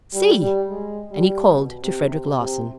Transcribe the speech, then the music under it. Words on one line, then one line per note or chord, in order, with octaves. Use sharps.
"See!"--and he called to Frederic Larsan.
G3
G3
G#3
G3
B2
C3
C3
C3